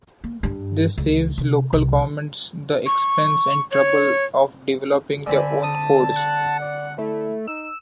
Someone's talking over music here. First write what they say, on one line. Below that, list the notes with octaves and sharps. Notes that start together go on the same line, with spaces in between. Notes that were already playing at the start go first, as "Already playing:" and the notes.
This saves local governments the expense and trouble of developing their own codes.
A#3
G2
C#2
C3
C2
C#6
C#5
D3 C4 G#5 B5
A5 D#6
F#5
D5
A3 E4
D#4 E6